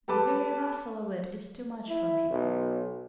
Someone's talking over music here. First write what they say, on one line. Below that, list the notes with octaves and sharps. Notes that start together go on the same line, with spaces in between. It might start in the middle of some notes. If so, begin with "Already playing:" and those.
The very rustle of it is too much for me.
G4 A4 B4 A5 D6
E4
B1